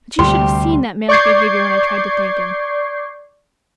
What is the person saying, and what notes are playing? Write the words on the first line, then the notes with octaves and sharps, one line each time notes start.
But you should have seen that man's behavior when I tried to thank him.
D2 C3 G3 G4 C6
D5 C#6 D6 G6 G#6 C7